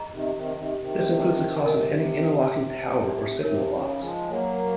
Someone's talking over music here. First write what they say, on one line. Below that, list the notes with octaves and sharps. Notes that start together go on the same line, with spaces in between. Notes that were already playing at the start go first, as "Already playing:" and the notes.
This includes the cost of any interlocking tower or signal box.
Already playing: G#4 D#5 A#5
C3 D#3
C3 D#3
F3
C3 D#3
C3 D#3
C3 A#4 D#5 G#5
C3 D#4 A#4 C#5
C#3
F3 G#3
F#3 A#3